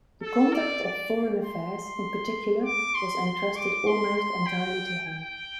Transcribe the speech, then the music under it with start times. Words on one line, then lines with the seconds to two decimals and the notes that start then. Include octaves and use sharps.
The conduct of foreign affairs in particular was entrusted almost entirely to him.
0.22 A4
0.53 D5
0.83 D5
1.43 C6
1.74 C6
2.64 D6
2.95 C6
3.25 C6
3.56 D6
3.87 C6
4.16 C6
4.46 G5
5.07 G5